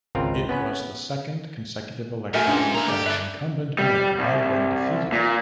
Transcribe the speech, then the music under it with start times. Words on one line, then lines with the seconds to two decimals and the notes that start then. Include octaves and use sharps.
It was the second consecutive election that an incumbent mayor had been defeated.
0.15 G#1 C#2 C4 F4 A#4
0.49 B3 C#4 B4
2.34 G#2 A3 F#4 A#4 E5 G#5
2.47 C#4 D4 F4 G4 B4
2.75 A#3 E4 A#5
2.88 D3 G4
3.06 B4 D5 E5
3.79 G3
4.19 C2
5.12 A#2